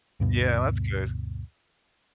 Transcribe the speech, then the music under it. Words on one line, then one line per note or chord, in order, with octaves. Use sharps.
Yeah, that's good.
D2 G2 B2